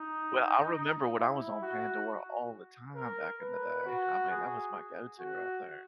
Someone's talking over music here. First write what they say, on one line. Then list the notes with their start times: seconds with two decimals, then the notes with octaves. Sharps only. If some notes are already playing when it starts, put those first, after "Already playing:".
Well, I remember when I was on Pandora all the time back in the day. I mean, that was my go-to right there.
Already playing: D#4
1.17 E4
1.62 F#4
2.96 A#4
3.41 B4
3.86 F#4
4.30 G#4
5.20 F#4